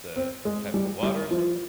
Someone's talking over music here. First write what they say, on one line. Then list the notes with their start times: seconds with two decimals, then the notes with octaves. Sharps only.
the type of the water or something.
0.16 C4
0.45 G#3
0.74 G3
1.03 G3
1.31 F3